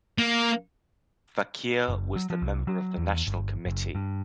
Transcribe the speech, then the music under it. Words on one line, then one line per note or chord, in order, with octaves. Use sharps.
Fakir was the member of the National committee.
A#3
F#1
F#3
F3
C2
F#3
E2
G1
F#1
G2